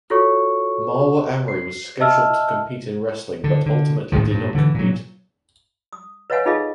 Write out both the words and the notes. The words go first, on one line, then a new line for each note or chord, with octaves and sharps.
Marwa Amri was scheduled to compete in wrestling but ultimately did not compete.
F4 F#4 A4 C#5 C#6
C7
D#5 E5 A5 E6 F6
D3
D3
A#1 A2 D#3 F3
G2 A#2
D3 E3
A#2 F#3
D#6
B4 C#5 D#5 F5 F#5 G#5
D#4 F4 G#4 A4 D#5 F5